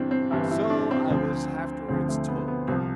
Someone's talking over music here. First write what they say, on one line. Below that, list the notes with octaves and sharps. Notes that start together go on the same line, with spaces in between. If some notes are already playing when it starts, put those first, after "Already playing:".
So I was afterwards told.
Already playing: G1 G2 E3 C4 D4
C4
G1 G2 E3 E4
E4
D4
C4
D2 D3 F3
D2 D3 F3 C4
A3
B3
B3
C2 C3 F3 C4